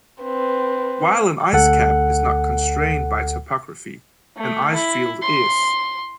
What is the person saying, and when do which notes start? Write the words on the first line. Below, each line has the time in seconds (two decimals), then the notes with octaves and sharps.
While an ice cap is not constrained by topography, an ice field is.
0.24 C4 B4
1.53 D2 A4 F#5
4.37 A3
4.75 E4
5.22 C6